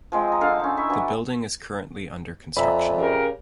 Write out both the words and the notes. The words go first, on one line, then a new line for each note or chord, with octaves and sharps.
The building is currently under construction.
F3 G#3 C4
D#5 A#5
D3 A4 F5
C#4 D#4
E4 E5 C#6
E3 F#3 D4
F2 D5 E5 G#5 A#5 B5
C#3 G4 A#4